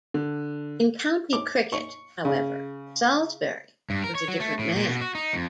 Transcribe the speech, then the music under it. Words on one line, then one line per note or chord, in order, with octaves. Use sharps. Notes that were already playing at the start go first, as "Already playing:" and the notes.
In county cricket, however, Salisbury was a different man.
D3
D6
C#6
C#3
G2
A#4
C#5
F#3
A3
A2
A#2
B2
F#4
D#4
F2